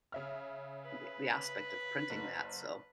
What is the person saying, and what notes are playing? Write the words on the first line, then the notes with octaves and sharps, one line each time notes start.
we we aspect of printing that, so
C#3 E5 F6
B4
F#1